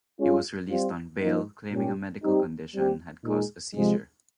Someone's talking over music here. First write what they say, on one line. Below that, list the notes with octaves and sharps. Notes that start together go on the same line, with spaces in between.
He was released on bail claiming a medical condition had caused a seizure.
G#3 C#4 F4
G3 C4 F4
F3 A#3 D#4
A#2 G3 C#4 G4
G3 C4 D#4 G4
G3 C4 G4
A#2 G#3 D#4 G#4
C3 F3 G#3